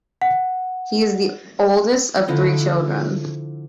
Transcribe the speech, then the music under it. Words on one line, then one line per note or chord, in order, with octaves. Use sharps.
He is the oldest of three children.
F#5
D3 F3 E4 D#5